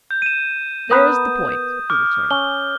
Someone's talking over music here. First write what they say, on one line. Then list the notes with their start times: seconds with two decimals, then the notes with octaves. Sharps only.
"There's the point!" he returned.
0.11 G6
0.22 D#7 E7
0.91 B3 A#4 B4 D#6
1.90 D6 F6
2.31 C#4 G7